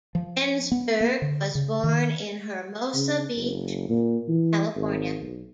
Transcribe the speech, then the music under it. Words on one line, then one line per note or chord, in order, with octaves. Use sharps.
Ensberg was born in Hermosa Beach, California.
F3
B3
A#3
D3
C#3
D#3
C#3
F#1
A#2
E3
G#1
B1